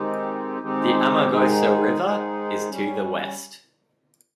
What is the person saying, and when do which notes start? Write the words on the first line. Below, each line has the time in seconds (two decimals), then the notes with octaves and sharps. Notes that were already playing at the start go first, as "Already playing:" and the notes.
The Amargosa River is to the west.
Already playing: D#3 G#3 C4 D#4 G4
0.61 D#3 G#3 C4 D#4 G4
1.30 G#2 D#3 G#3 D#4 G#4
2.00 G#2 D#3 G#3 D#4 G#4
2.69 G3 C#4